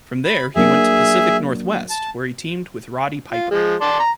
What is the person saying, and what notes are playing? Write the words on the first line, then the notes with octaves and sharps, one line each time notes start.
From there he went to Pacific Northwest where he teamed with Roddy Piper.
B5
F#3 A#3 D4 G#4 E5
A5
F4
F3 G#3
D5 A5 C6
A#5